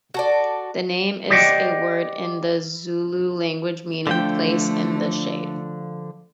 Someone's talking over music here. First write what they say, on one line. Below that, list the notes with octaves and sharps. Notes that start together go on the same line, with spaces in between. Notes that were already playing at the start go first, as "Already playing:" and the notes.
The name is a word in the Zulu language meaning place in the shade.
F#4 A4 D5
G4 C5 D5 D#5 F#5 G5
D3 F3 A3 D4 G5